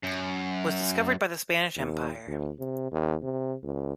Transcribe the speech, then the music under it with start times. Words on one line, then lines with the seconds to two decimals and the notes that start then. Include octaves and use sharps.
Was discovered by the Spanish empire.
0.03 F#2
1.76 D#2
2.27 D2
2.59 C3
2.91 D#2
3.23 C3
3.63 C#2